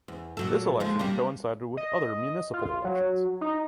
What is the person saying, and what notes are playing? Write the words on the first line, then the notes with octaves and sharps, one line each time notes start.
This election coincided with other municipal elections.
E2
A#2 F#3 A4
D#2 F3 G#3
G3 A#3 D4
D#5
F4
F#3
D#4